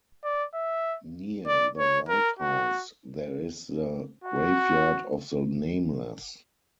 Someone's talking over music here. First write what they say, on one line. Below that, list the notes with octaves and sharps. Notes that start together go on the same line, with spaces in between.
Near the lighthouse there is the "graveyard of the nameless".
D5
E5
D5
C#5
A#4
F#4
F#4